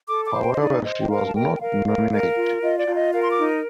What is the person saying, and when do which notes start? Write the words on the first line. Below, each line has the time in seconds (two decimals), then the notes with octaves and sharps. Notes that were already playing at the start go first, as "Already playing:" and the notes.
However, she was not nominated.
0.08 A4 D6
0.26 D6
0.34 C5
0.42 G5
0.54 D#5
0.59 D#4 D5
0.85 C5 D#5
1.00 G5
1.10 A#4 F5
1.27 A5
1.35 A#4 G5
1.56 G5
1.61 A#4 F5
1.86 A#4
2.11 A#4
2.37 F4
2.62 F4 D#5
2.79 D5
2.88 F4
2.96 D#5
3.13 A#4 F5
3.23 C6
3.30 D6
3.38 D#4